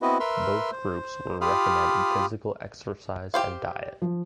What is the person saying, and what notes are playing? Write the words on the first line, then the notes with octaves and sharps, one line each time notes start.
Both groups were recommended physical exercise and diet.
B3 C4 E4 F#4 B4 D#5
A#4 B4 E5 C6 E6 F6
C5
F4 G4 F5 B5 D#6 F6
G4 C5 F5
F3